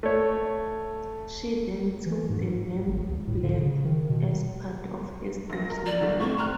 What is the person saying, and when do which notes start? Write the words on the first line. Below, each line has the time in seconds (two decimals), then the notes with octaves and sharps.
She then took the name Black as part of her stage name.
0.03 A3 C#5
2.06 E3
2.29 G#2
2.87 G#1
3.09 C#2
3.27 A2
3.43 D3
3.58 C#3
3.85 D#3
4.09 B2
5.50 A#1 A#6
5.70 A#4
5.86 D5
6.01 G1 D3
6.19 A2 A3 C4 C#6
6.37 A#5 C6 F6 F#6